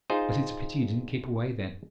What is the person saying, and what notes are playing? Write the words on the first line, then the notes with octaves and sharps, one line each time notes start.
But it's a pity you didn't keep away, then.
D#4 F4 G#4 C5